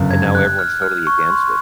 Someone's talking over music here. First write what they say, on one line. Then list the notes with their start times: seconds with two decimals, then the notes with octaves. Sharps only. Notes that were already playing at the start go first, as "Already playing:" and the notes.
and now everyone's totally against it.
Already playing: G1 F#2 C#3
0.11 G#6
0.35 F#6
0.59 F6
0.82 F6
1.07 C#6
1.30 C6